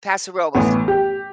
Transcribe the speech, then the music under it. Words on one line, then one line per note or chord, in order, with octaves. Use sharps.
Paso Robles.
A1 A2 E3 B3
G4